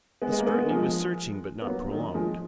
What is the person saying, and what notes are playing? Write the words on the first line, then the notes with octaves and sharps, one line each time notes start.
The scrutiny was searching but not prolonged.
G#3 B3
G#3
A#3
G#3 B3
F3 G#3
B3
F#3 A#3
D#3 F#3
F3 G#3